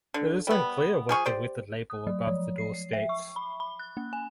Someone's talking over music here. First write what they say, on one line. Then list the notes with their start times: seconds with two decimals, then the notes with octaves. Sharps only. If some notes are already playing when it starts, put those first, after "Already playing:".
It is unclear what the weathered label above the door states.
0.14 D3
0.47 G3 B3
1.09 F3 G#4 C#6
1.26 G4 C5 D5
1.90 D#6
2.07 F#3
2.27 F3
2.58 C7
2.74 C7
2.93 E5
3.09 C#6
3.36 B5
3.60 B5
3.79 F#6
3.97 A#3
4.13 G#5